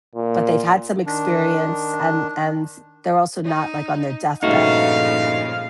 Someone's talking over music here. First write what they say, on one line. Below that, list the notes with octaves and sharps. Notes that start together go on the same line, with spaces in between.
but they've had some experience, and and they're also not, like, on their deathbed.
A#2
D#3 D4
D#4
G2 A#2 C#3 F3 A3 D#4 F#4 F5